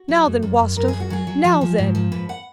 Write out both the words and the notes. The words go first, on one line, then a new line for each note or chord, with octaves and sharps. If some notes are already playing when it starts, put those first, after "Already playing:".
"Now then, Wostov, now then!"
Already playing: F#4
F#3
F#2
F#2
F#2
F#2 A#4
G#4
F#2
F#4
F#3 G#4
F#3
F3
F3
G#2
F3
G#2 B4
F#5